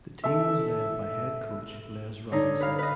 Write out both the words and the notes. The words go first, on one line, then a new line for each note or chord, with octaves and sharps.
The team was led by head coach Les Robinson.
A4 E5
D3 D#4 C#5
B4 F5
B4 D#5